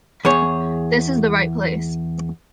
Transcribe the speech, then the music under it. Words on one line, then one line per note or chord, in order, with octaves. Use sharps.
This is the right place.
E2 G#4 C#5